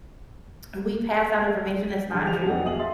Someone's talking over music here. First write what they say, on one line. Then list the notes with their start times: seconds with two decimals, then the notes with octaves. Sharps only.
We pass out information that's not true,
2.10 D3 E3 G3 G4 G#4
2.26 F3 F4 G4 G#4 F7
2.46 F2 D#3 F#3 D4 F#5
2.63 F2 B2 G#4 E5 D#6 F#7
2.79 E5 F5 C6 D#6 A6